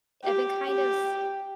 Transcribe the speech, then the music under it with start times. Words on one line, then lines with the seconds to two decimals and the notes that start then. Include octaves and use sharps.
I've been kind of,
0.23 G4
0.67 G4